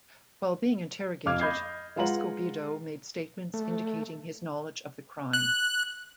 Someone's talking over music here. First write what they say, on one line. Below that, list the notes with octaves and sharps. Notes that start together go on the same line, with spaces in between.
While being interrogated, Escobedo made statements indicating his knowledge of the crime.
F2 F5 D6 F6 G#6
D#5 B5 G6 G#6 C7
G#3 F4 B4 F#5 A#5 F#7
A3
F#6